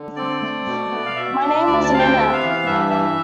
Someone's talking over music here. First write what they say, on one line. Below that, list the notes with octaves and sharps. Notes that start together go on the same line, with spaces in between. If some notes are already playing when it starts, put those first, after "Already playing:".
My name wasn't in it.
Already playing: D3
C4 D5
A3
B2
B3
F5
B2 E5
D4
D2 D5
A5
C3 F5
G5
B3 E5
F5
E3
F5
G2 E5
E3 E5